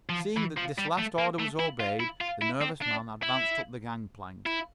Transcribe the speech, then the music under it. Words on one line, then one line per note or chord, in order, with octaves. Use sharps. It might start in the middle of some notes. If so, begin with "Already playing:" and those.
Seeing that this last order was obeyed, the nervous man advanced up the gangplank.
F3
E3
F3
G3
A3
A#3
A3
E4
F4
E4
F4
E4
C4
D4
E4
E4